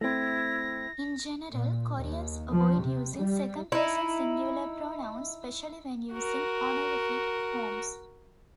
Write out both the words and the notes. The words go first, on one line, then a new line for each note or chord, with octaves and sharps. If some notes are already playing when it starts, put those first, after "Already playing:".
In general, Koreans avoid using second person singular pronouns, especially when using honorific forms.
A3 C4 E4 A#6
A#2
D#2
F3
C3
G3
D#4 E4
F#4 A#4